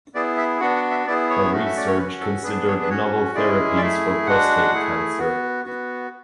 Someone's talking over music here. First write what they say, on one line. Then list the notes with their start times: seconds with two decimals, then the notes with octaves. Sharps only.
Her research considered novel therapies for prostate cancer.
0.15 B3 E4 G#4 D5
0.38 E5
0.60 B3 D4 F#4 F#5
0.76 F#5
0.91 E5
1.07 B3 E4 G#4 D5
1.30 C#5
1.53 A3 C#4 F#4
1.66 E5
1.77 D5
1.88 C#5
1.98 C#4 B4
2.02 F#4
2.21 A4
2.44 B3 D4 G#4 B4
2.67 C#5
2.82 B4
2.90 C#4 F#4 C#5
3.35 G#3 C#4 E4 G#4 D5
3.78 D5
3.81 A3 E4 G#4 E5
4.27 G#3 D4 F#4 F#5
4.73 A3 E4 G#4
5.18 B3 F#4
5.65 B3 F#4